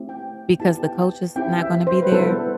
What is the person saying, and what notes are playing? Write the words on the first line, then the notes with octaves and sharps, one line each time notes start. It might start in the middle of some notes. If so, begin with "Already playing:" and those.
Because the coach is not gonna be there?
Already playing: A3 C4 E4 G4
G5
B3 E4 G4 A5
G5
C4 E4 G4 G5
E5
C5
B4
G3 B3 E4 A4